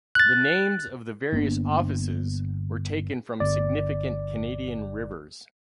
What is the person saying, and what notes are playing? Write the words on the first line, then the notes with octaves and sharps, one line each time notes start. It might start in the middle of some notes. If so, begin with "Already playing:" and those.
The names of the various offices were taken from significant Canadian rivers.
F#6 A6
G1 A#3 B3 D4
G1 D5